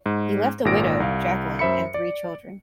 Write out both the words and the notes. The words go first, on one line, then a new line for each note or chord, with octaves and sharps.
He left a widow, Jacqueline, and three children.
G#2
G#1 A#2 D#4 A#6 D7
C2 F5
F#2 C5 E5 B5 C#7
D5